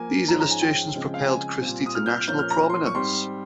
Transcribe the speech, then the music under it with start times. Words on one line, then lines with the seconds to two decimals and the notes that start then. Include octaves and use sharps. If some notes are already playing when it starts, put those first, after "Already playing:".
These illustrations propelled Christy to national prominence.
Already playing: F3 A#3 G#5
0.28 G#2 F3 G#3 C#4 A#5
0.40 A#5
0.51 G#5
0.62 G5
0.96 C#3 F3 G#3 C4
1.14 F5
1.21 G5
1.29 G#5
1.62 A#2 G3 C4
1.86 D#6
1.95 F6
2.06 G6
2.17 F6
2.28 A#2 F3 A#3 C#4 G6
2.39 F6
2.51 A#5
2.70 C6
2.86 C#6
2.95 G#2 G3 C4 C6